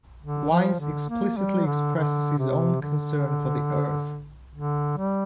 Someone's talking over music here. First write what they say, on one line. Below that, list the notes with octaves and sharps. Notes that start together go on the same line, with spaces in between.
Wines explicitly expresses his own concern for the Earth.
D3
F3
D3
A#3
G3
D3
D3
C3
D3
D3
G3